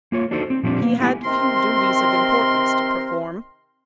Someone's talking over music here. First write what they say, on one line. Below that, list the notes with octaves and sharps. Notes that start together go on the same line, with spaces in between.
He had few duties of importance to perform.
A#3 F4 C#5
D4 D#4 F#4 A4 C5
C4
A#2 F3 G3 C4 D4
A#3
A3 B3 E4 G4 G#5
C3 D#3 C4 A#4 C6